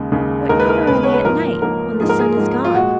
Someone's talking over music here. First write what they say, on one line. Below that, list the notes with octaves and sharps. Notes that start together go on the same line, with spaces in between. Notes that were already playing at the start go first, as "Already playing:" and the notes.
What colour are they at night, when the sun is gone?
Already playing: D#2 C#3 G#3
D#2 C#3 G#3
D#2 C#3 G#3 A#4
B4
A#4
D#2 C#3 G#3 B4
C#5
B4
G#2 F3 A#3 A#4
G#2 F3 A#3 A#4
G#2 F3 A#3 G#4
A#4
G#4
G#2 F3 A#3
F4
A#2 G#3 F#4